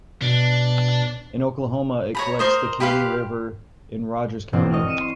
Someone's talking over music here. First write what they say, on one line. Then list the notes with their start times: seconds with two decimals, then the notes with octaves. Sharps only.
In Oklahoma it collects the Caney River in Rogers County.
0.22 B2 D4
2.15 C#5 A#5 B5
2.39 A#4 C5 D#5
2.80 G4 B4 F5 C6
4.53 E1 C4
4.72 D#5 C#6 F6
4.87 C#7 D#7 E7
5.01 C6